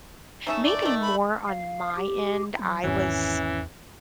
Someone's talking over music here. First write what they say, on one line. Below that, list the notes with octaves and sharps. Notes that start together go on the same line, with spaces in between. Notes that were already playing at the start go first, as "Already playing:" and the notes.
m maybe more on my end, I was
A3 C#4 D#4 E5
D5
D#3 A3
B5
F5
G4
F#3
G#1 E2 E3 C#4